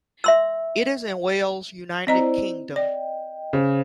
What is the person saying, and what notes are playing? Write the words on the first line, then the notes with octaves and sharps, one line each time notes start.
It is in Wales, United Kingdom.
E5 C6 E6
C4 E4 C5 D5 D#5 A#5
D5 D#5 G5
C#3 C5